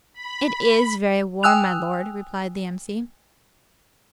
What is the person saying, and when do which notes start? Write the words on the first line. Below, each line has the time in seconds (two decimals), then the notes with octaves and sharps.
'It IS very warm, my Lord,' replied the M.C.
0.13 B5
1.43 G5 G#5 D#6 E6 F#6 F7